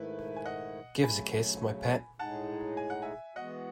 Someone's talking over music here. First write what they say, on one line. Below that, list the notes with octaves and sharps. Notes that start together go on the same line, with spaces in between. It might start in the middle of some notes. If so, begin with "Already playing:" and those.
Give us a kiss, my pet.
Already playing: G#2 D#3 A3 E4 B4
G#5
D#5 F#5
C#3 F#3 A3 G#5 B5
A2 G#3 D#4 G#4 F#5 A5
G#5
F#5
E5 G#5
E3 G#3 B3 F#4 D#5 F#5